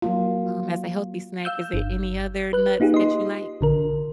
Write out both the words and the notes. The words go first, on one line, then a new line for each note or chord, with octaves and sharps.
um, as a healthy snack. Is there any other nuts that you like?
F#3 A#3 F4
F5 E6 G6
G1
B4 F#6
A#3 D#4 F4 G4 G#4
D#5 C6
A#1 D3 A#4